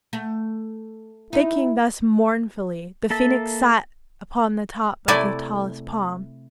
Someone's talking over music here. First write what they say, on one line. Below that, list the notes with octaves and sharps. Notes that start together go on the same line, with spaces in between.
Thinking thus mournfully, the Phoenix sat upon the top of the tallest palm.
A3
D#4 E4
A#3 A4 E5 A5
C3 A3 E4 A4 D5 G#5